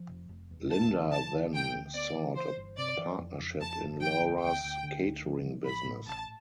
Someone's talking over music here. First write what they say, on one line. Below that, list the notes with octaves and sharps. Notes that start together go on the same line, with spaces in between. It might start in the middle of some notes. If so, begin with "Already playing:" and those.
Linda then sought a partnership in Laura's catering business.
Already playing: F3
F1
F1
E2
B3 A5
D2
E3 A5
D2
E3 G5
D2
B3 D5
E3
E3 C5
G1
C3 D5
E3
F2
F2
F2 A5
G1
F3 G5
D2
D2 G5
D2
D3
D2
F3
F3
A1 B5
A2
A1 A5